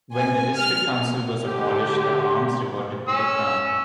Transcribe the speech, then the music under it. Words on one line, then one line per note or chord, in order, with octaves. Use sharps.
When the district council was abolished the arms reverted to the Crown.
G#5
F6
D3 G4
C#4 E6